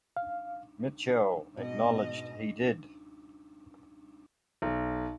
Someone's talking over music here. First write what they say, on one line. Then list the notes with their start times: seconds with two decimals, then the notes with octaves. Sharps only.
Mitchell acknowledged he did.
0.17 F5
1.57 G#2 B2 D#5
4.62 B1